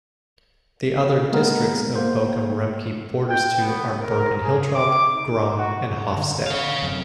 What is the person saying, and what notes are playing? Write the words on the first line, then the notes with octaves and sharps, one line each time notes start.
The other districts of Bochum, Riemke borders to are Bergen-Hiltrop, Grumme and Hofstede.
G#3 A#3 B3 G#4 A#4
A#3 C5
G5
B3
A#4
G#4
D6
D#4
F#4
D3
C#5 F5
F#2 C3